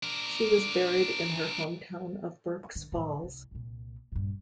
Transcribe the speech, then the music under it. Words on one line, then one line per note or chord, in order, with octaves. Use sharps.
She was buried in her hometown of Burk's Falls.
D4 A#4
D3
A2 F3
C2
C2 A#2
G2 A#2